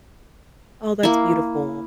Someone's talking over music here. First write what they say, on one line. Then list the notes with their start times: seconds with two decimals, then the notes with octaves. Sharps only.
Oh, that's beautiful.
1.03 A#3 E4